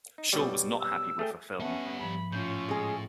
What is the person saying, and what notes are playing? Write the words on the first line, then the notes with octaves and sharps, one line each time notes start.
Shaw was not happy with the film.
D#4
B2 F#3 G3
E6
A3 G#4 G5
G3 B3 C#4 E5 F#5 A5
G#2 F3 B5
A2 C#4 F4 G6
G#3 G#4